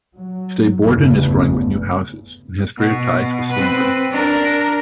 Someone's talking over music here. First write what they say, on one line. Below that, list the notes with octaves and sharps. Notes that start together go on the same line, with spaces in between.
Today Borden is growing with new houses and has greater ties with Sittingbourne.
F#3
G1 E2 C#3 A3 B3
B2
C4 B4
D4 A#4